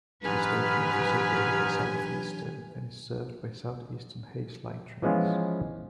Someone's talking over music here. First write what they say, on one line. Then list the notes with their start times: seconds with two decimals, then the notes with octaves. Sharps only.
The station is operated by Southeastern and is served by Southeastern Hayes line trains.
0.24 G#2 E3 F#3 D4 G4 B4 G#5 F6
5.02 E3 F3 G#3 B3 C#4 F4